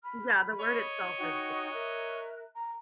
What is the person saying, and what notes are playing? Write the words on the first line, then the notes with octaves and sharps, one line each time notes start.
Yeah, the word itself is
B5 F6
C#5 D#5
D#4 F#4 G5
A#4 E5 F#6
A#5